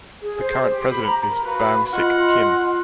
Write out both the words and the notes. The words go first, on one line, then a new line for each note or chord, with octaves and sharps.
The current president is Boung-Sik, Kim.
G#4
C5
G4
B5
A#5
A#4
F#4 B4 F5 B5
F4 D#5 F#5 C6